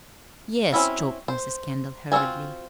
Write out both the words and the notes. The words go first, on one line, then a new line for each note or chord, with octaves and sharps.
"Yes," choked Mrs. Kendall, hurriedly.
C4 C#4 E4 F#4
C5
C4 F4 F#4 A4 G#5